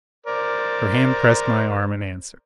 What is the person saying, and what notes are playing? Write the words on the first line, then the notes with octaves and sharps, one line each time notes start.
Her hand pressed my arm in answer.
A#4 C5 D5